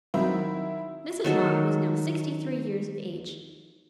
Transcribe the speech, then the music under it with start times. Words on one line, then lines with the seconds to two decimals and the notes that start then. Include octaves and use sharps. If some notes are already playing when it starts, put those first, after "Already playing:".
Mrs. Mott was now sixty-three years of age.
0.14 D#3 F#3 C4 E4
1.24 D#3 F#3 A4